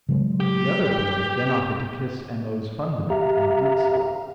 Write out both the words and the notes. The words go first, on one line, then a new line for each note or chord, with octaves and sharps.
The other boy then offered to kiss M.O.'s fundament, and did so.
C#3 F#3 G#3
G4
G4 E5 F5 A#5